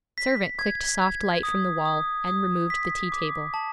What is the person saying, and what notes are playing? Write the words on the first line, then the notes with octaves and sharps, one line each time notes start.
A servant clicked soft light from the wall, and removed the tea-table.
B6
G#6
G#6
D#6
D#6
D#6
B6
D6
A5